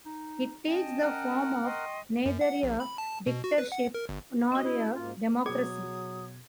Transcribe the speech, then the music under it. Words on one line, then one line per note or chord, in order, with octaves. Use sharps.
It takes the form of neither a dictatorship nor a democracy.
D#4
C#4 D#5 G5 A5
A#4 F#5
D#5 G5 C6 C#6
F#2
F#5
A#1
B5
A5
B2
F#4
B4
F#5
A#4
G1
C#4 F#4 D#5
E4
G#2 A#3 F4
B2 F#3 G#4 D#6 G#6